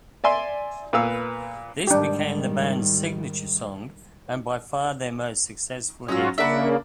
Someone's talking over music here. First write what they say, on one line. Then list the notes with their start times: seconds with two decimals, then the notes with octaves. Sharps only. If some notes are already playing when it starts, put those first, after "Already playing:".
This became the band's signature song and by far their most successful hit.
0.24 D5 E5 G#5 C6
0.93 A#2 B3 B4 F5 E6
1.87 G#2 D#3 G3 D4 G4
6.08 G#2 F#3 C#4 F4 F#4 D#6 E6
6.38 C#3 A#3 D4 F#4 A#4 E5 B5